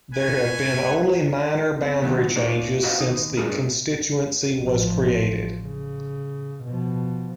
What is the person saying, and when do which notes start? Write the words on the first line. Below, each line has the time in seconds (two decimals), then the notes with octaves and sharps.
There have been only minor boundary changes since the constituency was created.
0.14 A4 B4 C#5 G#5
1.82 C4
2.02 D#2 D#3 F#3 B3
2.36 A#3 D#4 C#5 D5
2.83 F#4 B4 C5 D#5 F5 F#5
3.01 D#2 D#4
3.37 G2 F3 G#4 A#4
4.60 A1 F3
5.62 C#3
6.64 B2 F3